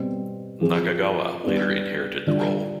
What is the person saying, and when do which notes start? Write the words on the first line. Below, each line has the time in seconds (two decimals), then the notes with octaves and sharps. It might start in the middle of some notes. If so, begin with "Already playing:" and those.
Nakagawa later inherited the role.
Already playing: B2 G3 C4
0.61 F3 C4 F4 G#4
1.44 G3 B3 D4
2.27 D3 G3 D4 F4